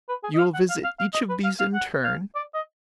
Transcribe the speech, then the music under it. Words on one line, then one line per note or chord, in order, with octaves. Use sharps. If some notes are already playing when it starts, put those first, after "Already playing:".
"You will visit each of these in turn."
B4
G#4
D#5
F5
F#5
F5
F5
F5
D#5
B4
F5
F5
F#5
F5
D5
D#5